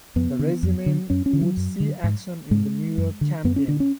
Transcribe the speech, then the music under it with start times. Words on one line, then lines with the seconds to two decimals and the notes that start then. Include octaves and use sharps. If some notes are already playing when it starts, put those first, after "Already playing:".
The regiment would see action in the New York Campaign.
0.16 F2 B3
0.39 D3
0.63 F2
0.86 D3
1.10 F#2 C#4
1.26 C#4
1.33 D3
1.41 F#3
1.57 F#2
1.80 D3
2.04 G#2
2.51 G#2 G#3
2.98 F#2
3.21 D3
3.44 F#2 B3
3.56 C#4
3.68 D3 D4
3.80 C#4